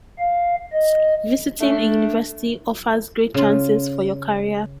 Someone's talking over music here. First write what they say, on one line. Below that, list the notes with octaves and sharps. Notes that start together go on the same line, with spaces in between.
Visiting a university offers great chances for your career.
F5
D#5
A3 D4
C#3 F4